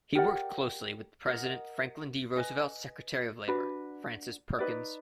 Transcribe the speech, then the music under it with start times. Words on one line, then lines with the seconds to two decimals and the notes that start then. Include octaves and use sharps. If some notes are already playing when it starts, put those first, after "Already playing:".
He worked closely with the President Franklin D. Roosevelt's Secretary of Labor, Frances Perkins.
0.15 G4 A#4 D5 F#5
1.26 A#4 D#5 F#5
2.36 B4 D#5 G#5
3.48 D4 F#4 B4
4.59 D#4 F#4 B4 D5